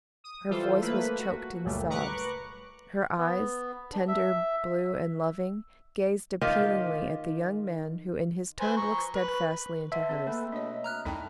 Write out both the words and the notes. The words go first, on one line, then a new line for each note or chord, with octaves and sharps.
Her voice was choked in sobs, her eyes, tender, blue and loving, gazed appealingly at the young man, who in his turn looked steadfastly into hers.
D#6
E3 G3 F4 A4 C5
A3 A#3 B4
F#4
C#2 F#2 A#2 C#3 G3 A3
B4 A#5 C#6 D6 F#6
B3
D4
E5
D#3 F4 G4 D#5
B4 C5 G#5
A#5 C#6
B4
B4 D#5 E5 F#5 A5 C6
C4 G#4 F#5
A3 A#3 A4 B4
B2 D4 C#5 D#5
A#5 F6 F#6
C2 F2 D#4 G5 A5 A#5